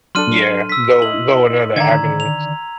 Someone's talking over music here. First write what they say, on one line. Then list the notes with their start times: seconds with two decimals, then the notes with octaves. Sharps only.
Yeah, go go another avenue.
0.15 F#3 D4 A4 C6 F6 D#7
0.69 E6 B6
1.02 E4 D#5 F#7
1.76 D3 D#3 D5 A#5 G#6
2.20 F7